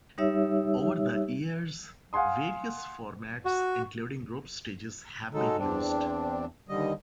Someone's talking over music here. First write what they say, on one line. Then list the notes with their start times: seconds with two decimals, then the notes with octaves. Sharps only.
Over the years, various formats, including group stages have been used.
0.18 G3 D#4 G4 C#5 E5 E6
2.13 F5 F#5 G#5 C6 D#6
3.45 F#4
5.34 F#3 G#3 D#4 A4
5.58 E2 C4 D4
6.69 D#2 D3 G3 D#5